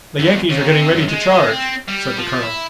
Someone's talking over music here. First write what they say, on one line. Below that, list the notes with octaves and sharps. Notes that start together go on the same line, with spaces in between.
"The Yankees are getting ready to charge," said the colonel.
E2
D#2
C3
F#2
G#3
G#3
C4
G3
F3
E4